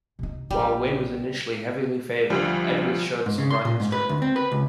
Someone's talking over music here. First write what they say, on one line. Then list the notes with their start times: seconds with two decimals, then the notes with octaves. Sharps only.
While Wynn was initially heavily favored, Edwards showed surprising strength.
0.19 C3 D#4
0.51 A#1 G3 A3
2.30 D2 F3 G3
3.26 G#2
3.38 C#3
3.51 C6
3.65 A#2
3.80 G#2
3.92 B4
4.09 D2
4.22 C4
4.36 B4
4.52 C#2